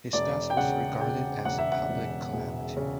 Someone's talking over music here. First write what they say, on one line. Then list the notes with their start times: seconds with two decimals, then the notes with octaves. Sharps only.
His death was regarded as a public calamity.
0.13 E1 D5
0.50 G5
0.57 C#3 F#5
1.01 C#3 G5
1.45 E1 F#5
1.58 E5
1.72 F#5
1.89 E1
2.33 E1
2.77 C#3